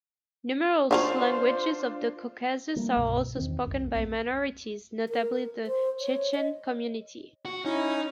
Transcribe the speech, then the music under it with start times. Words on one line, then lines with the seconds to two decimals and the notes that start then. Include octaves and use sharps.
Numerous languages of the Caucasus are also spoken by minorities, notably the Chechen community.
0.91 C#3 F#3 C#4 D4 F4 C5 F7
2.76 G3 A3 A#3 D4
2.96 C2 G2 B2
3.36 E2 D#3 C4
3.67 C2 F#2
3.91 B1 A#3 C4
5.09 A#4
5.67 C5
6.01 C#5
6.34 D#5
7.45 F#4
7.65 C#4 D#4 E4